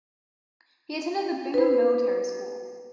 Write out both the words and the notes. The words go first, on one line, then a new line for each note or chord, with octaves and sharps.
He attended the Bingham Military School.
B4 C5